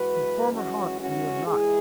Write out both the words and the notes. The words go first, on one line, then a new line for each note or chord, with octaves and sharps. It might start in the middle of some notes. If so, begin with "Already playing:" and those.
His former haunts knew him not.
Already playing: F#2 E3 G#3 F#4 B4
C#4 F#4
C#4 F#4
G#2 E3 G#3 E4 G#4